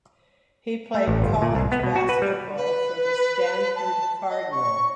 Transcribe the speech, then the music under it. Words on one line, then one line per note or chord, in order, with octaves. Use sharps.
He played college basketball for the Stanford Cardinal.
A3
A1
G1
A#2
C2
B3
B2
F#4
B4
G3
B4
A5
D#5
C#6